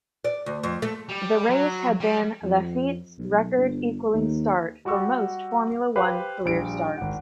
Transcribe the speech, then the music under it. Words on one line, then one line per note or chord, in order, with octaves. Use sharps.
The race had been Laffite's record equalling start for most Formula One career starts.
D5
D2
F2
A3
G3
F#3
G3
F2
B1
G1
D#2
G3 F#4 G4 C#6 E6
G4 B4 C5 F5
A#1 G3 D7
G#1 F#5